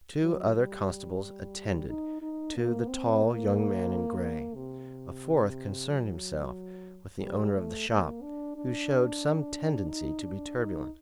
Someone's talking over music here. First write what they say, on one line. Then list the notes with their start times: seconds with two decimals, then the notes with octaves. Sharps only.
Two other constables attended to the tall young man in grey; a fourth concerned himself with the owner of the shop, who showed some tendency to be turbulent.
0.22 F#3
0.55 G3
1.89 D#4
2.22 D#4
2.56 A#3
2.89 C4
3.22 A#3
4.55 C3
5.89 F#3
7.22 G3
7.55 A3
7.89 A#3
8.22 D4
8.56 D4
9.89 D#4
10.22 D4
10.56 D#4